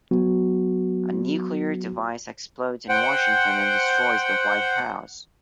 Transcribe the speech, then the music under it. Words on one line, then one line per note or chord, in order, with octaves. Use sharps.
A nuclear device explodes in Washington and destroys the White House.
F#3 B3 F#4
C5 F#5 G5